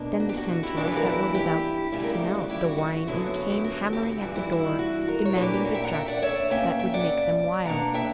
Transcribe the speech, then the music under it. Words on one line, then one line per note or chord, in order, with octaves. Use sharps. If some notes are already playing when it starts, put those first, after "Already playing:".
Then the centaurs that were without smelt the wine and came hammering at the door, demanding the drafts that would make them wild.
Already playing: B2 A#3 D4
F#4
G4
F#4
F#4
E4 G4
G2 E3 B3 D4 F#4 A#4
G4 B4
F#4 A#4
E4 G4
E4 G4
D2 C#3 G3 E4
A#4
G4
F#4
F#4
E4 G4
F#4
F#4
F#4
F#2 D3 F#3 B3 E4
F#4
E4
F#4
E4 G4
F#4 A#4
E4 G4
F#4
E4 G4
G2 E3 G3 F#4
E4
F#4
E4
F#4
F#4 A#4
C#5
A#2 A#3 D4 G4 B4
F#4 A#4
E5 G5
F#5 A#5
E5 G5
D5 F#5
C#5 E5
B2 A#3 C#4 E5 G5
E5 G5
D5 F#5
B2 A#3 D4 F#5 A#5
E5 G5